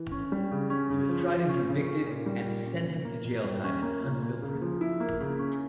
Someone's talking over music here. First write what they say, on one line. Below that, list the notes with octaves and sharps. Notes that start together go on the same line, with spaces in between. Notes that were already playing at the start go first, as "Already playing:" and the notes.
He was tried and convicted and sentenced to jail time in Huntsville Prison.
Already playing: E3
C#4
G3
C#3
C#4
C#3
F3
F4
C#4
C#3
C#4
A#2
G3
A#2
C#4
A#2
A#3
A#2
G3
C#4
A#3
A#2
A#3
C#3
F3
E4
A#3
C#3
C#4